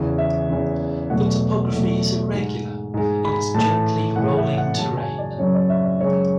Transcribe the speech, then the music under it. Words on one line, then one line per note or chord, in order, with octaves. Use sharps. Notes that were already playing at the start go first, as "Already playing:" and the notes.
The topography is irregular in its gently rolling terrain.
Already playing: E2 C#3 E3
E5
E2 C#3 E3
E2 B2 F#3 A3 F#5
E2 B2 F#3 A3
G#2 G#3
G#2 G#3
B5
A2 E3 A3 A5
A2 E3 A3 F#5
E5
F#5
F#2 C#3 F#3 A5
G#5
D5
F#2 C#3 F#3 C#5
D5
E5
D5
F#2 C#3 G#3 C#5